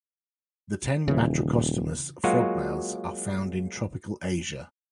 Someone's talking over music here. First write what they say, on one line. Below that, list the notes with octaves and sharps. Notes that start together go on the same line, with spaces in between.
The ten "Batrachostomus" frogmouths are found in tropical Asia.
D#1 C#3 E3
F#3 G#3 A#3 F4 F#4